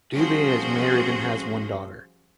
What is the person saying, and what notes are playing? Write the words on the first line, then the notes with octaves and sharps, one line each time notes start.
Dubey is married and has one daughter.
F3 G3 C#4 F#4 G#4 C5